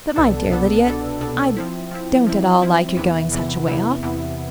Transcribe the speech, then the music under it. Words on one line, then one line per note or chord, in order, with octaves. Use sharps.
But my dear Lydia, I don't at all like your going such a way off.
C2 B2 B3 D4 A4
C2 B2 B3 D4 A4
C2 B2 B3 D4 A4
C2 B2 B3 D4 A4
F3 C4 E4
F3 C4 E4
F3 C4 E4
F3 C4 E4
E2 C3 E3 B3 E4
E2 C3 E3 B3 E4
E2 C3 E3 B3 E4
E2 C3 E3 B3 E4